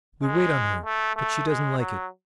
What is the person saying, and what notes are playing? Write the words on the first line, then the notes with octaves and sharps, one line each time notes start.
We wait on her, but she doesn't like it.
G#3
A3
A3
G#3
F#3